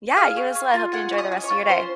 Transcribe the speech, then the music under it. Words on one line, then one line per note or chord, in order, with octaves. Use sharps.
Yeah, you as well. I hope you enjoy the rest of your day.
G#4 F5 F6
C#4
C#4
F4
G#4 F#5 F#6
C#4
D#5 D#6
C#4
C#5 C#6
F4
C#4 C5 C6